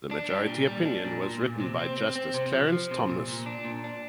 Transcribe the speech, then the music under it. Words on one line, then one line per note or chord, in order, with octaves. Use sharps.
The majority opinion was written by Justice Clarence Thomas.
D4
G3
A#2
G3
D4
A#2
A#2
A#2
C3
C4
C4
C4
C3
F3
F3
C3
A#2
A#2
D4
A#2
D4